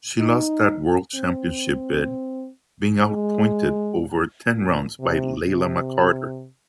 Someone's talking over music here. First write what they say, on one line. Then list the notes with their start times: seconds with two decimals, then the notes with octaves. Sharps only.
She lost that world championship bid, being outpointed over ten rounds by Layla McCarter.
0.19 D#4
1.15 C4
3.07 G#3
4.51 A#2
4.99 C3
5.47 C3